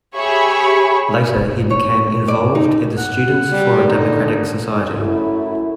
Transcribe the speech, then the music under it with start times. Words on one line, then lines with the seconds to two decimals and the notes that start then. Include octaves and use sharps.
Later he became involved in the Students for a Democratic Society.
0.16 G4 G#4 C#5 E5 B5 C#6
1.70 C#5
2.28 D5
2.55 D#4
2.98 F#5
3.52 G3
3.88 D3 D#4
5.00 F#2 A3 E4